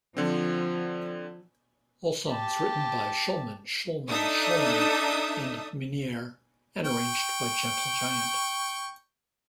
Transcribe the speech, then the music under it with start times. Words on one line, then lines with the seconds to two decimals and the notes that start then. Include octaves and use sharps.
All songs written by Shulman, Shulman, Shulman and Minnear and arranged by Gentle Giant.
0.17 D3 F3 C4
2.29 G4 A5
4.09 D4 D#4 A4 E5 D#6
6.85 G5 C#6